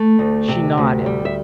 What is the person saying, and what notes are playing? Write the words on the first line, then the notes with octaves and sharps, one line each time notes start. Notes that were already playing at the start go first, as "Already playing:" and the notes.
She nodded.
Already playing: A3
D2
C3
D2
G3
E5